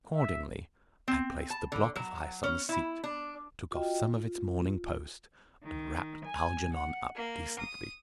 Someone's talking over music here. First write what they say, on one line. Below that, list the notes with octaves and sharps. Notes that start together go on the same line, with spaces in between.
Accordingly, I placed the block of ice on the seat, took off some of its "Morning Post," and wrapped Algernon up decently.
E5
C4
A5
D3
F#3
C#4
E4
D4
F4 F#4 D#5 G5
F4
D#3
G#5
F#5
A#3
D#6